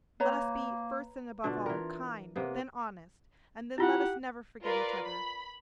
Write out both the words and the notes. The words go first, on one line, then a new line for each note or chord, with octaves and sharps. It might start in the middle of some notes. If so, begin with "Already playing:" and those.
Let us be, first and above all, kind, then honest and then let us never forget each other!
A#3 B4 C#5 A#5
B2 D3 D4 F4
E3 A#4
C3 A#3 B3
E4 F4 G4 F#5
F4 A#4 B4 D5
B5